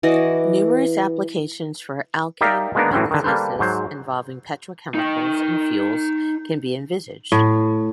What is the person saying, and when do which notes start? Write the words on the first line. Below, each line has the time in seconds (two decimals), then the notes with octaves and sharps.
Numerous applications for alkane metathesis involving petrochemicals and fuels can be envisaged.
0.03 E3 F#4 D5 D#5
2.41 D#4 G4 A#4 D5 E5 F5
2.75 G#3 A#3 B3 D4 D#4 A#4
2.92 A2 E3 F#3 C4 C#4
3.11 D3 D#3
3.24 G3 A#3 A4 B4 C5
3.59 G#2 F#3 C5
4.94 D#4 G5
7.32 A2